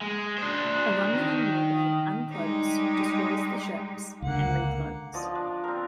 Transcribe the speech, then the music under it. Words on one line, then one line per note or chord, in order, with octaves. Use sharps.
A Romulan Warbird uncloaks, destroys the ships, and recloaks.
G#3
D4 C5
D#3
G3 G#3 D#4 G4
C#2 D3 A#3 F#5
F3 D5 D#5
D4
C4 A#4